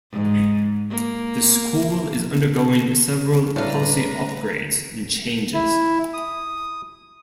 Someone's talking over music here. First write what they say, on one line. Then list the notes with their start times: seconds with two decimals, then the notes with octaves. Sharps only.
The school is undergoing several policy upgrades and changes.
0.12 G#2
0.90 A#3
3.56 A2 G3 D4 A4 B4 C#5 F5 A#5
5.54 E4
6.14 D#6